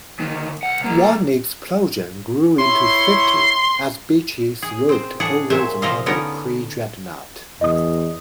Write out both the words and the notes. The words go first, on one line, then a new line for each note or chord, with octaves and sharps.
One explosion grew into fifty as Beachey swooped over the model predreadnought.
D2 D#3
C2 F#5
F#3 A#3
E4 C#5 C6 C#6
G#4
C4 C5
A2 D4 G#4 F#5
A#2 F#3 C5 E5 G#5
C3 F3 C4 D#5 F5
D3 B3 C#4 D#4 A#4
E2 D#5 D#6